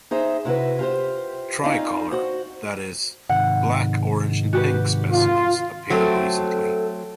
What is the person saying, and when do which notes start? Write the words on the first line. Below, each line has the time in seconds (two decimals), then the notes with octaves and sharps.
Tri-colour, that is, black, orange and pink specimens appeared recently.
0.11 D#4 G#4 C5 E5
0.45 C3 E4 F#4 B4
0.79 F4 G4 C5
1.64 C4 C#4 D#4 F4 D5 F5
2.11 F#4 C5
3.29 G#2 C3 D#3 F#5
4.53 F#4 G4 B4
5.12 F4
5.90 F#3 A3 C4 A4